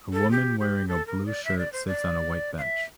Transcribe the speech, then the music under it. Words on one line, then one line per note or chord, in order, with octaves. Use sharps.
A woman wearing a blue shirt sits on a white bench.
A4
G4
G4
A4
A#4
D5
E5
D5
C5
D5
F5
E5